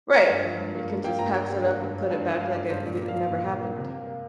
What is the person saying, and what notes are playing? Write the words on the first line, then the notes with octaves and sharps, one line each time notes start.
Right. You can just patch it up and put it back like it y it never happened
A#3 A#5
G2
F3
G2
A#3
G2
A#3 G5
G2 A#5
G3 G5
G2
A#3
G2
A#3
G2
F3
G2 F5
A#3 D5
G2 C5
A#2 D5
A#3
F5
A#3
A#2
A#2
A#3
C3
A#3
A#3